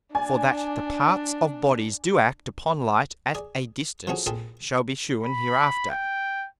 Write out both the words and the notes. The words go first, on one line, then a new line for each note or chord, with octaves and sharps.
For that the parts of Bodies do act upon Light at a distance shall be shewn hereafter.
D4 D5 G#5
G#4 D5
E3 F3 A3 C#4 F#4 G#4
C2 A#2 G#4 A4 G5 A5
B5
G5